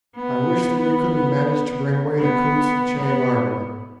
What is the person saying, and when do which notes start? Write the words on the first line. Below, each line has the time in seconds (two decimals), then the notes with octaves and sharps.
I wish that we could have managed to bring away the coats of chain armour.
0.16 B3
2.18 B3
2.98 B3